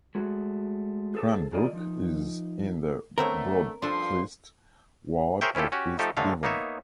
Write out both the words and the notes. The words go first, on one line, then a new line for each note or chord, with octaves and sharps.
Cranbrook is in the Broadclyst ward of East Devon.
G#3 A3 F#4
G#4 A4 C5
E3 F4 A4 A#4 D5 D#5
F3 D#4
D3 A3 B3 C4 A#4 C#5
G2 F3 D4 A4 C6
G#4 A#4 C5 C#5 E5 G5
C#4 E4 F4 G4 A4
C#4 F#4 G4
F3 A3 D#4 G4 A4
F#2 D3 G#3 A3 F5
A#3 B3 D#4 C#5 E5